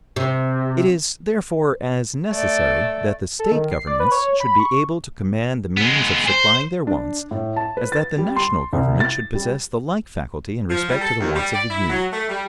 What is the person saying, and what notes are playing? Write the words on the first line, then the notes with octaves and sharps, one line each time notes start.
It is, therefore, as necessary that the State governments should be able to command the means of supplying their wants, as that the national government should possess the like faculty in respect to the wants of the Union.
C3
A3 D5
A4
D#3
C7
D5
B4
C#5
B5
C#6
G#3 B3
C5
D4
A2
A5
B4
A6
G3
C6
C2
A6
G3
F3
G3
A4
D#2
G3
D5
E4
F#3
A3
G3